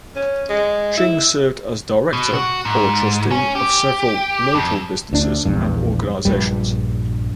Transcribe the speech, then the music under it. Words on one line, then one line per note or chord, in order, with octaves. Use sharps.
Ching served as director or trustee of several local businesses and organizations.
C#4
G#3
E4
B2
F#4
G#2
C#4
G4
F2
D2 D4
A#1 E2 G2 C#3
A#1 G2 G3